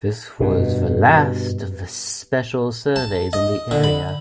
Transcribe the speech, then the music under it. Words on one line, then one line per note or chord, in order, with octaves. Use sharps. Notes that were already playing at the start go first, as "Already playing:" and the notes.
This was the last of the special surveys in the area.
G2 B2
A5
D#5
D3
B5